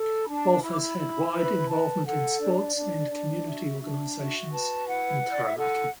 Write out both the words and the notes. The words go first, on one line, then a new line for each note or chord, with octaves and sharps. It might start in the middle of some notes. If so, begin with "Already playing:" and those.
Wolfe has had wide involvement in sports and community organisations in Taranaki.
Already playing: A4
B5
D4 A5
E4 B5
D6
B5
E4
B4 B5
B4 A5
A4 F#5
D4 D5
D4
D4
F#4 E5
D4 E5
F#4 E5
B4 A5
E4 F#5
E4
D5
E5
A4 F#5